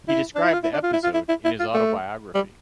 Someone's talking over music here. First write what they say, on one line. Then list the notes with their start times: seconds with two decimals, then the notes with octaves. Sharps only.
He described the episode in his autobiography.
0.08 E4
0.35 D4
0.44 E4
0.53 F4
0.63 E4
0.73 D4
0.83 F4
0.93 E4
1.03 F4
1.14 E4
1.29 E4
1.44 E4
1.59 F4
1.74 A3
2.35 G3